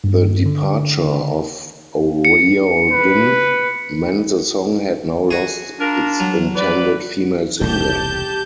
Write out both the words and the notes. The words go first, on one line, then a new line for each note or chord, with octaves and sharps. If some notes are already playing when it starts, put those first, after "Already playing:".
The departure of O'Riordan meant the song had now lost its intended female singer.
G2
D3
C#7
B4
F#4 G#4
D4 F4 A#4
F#3
A2 C3 B4 D5
E1 C2 G4 A5 G6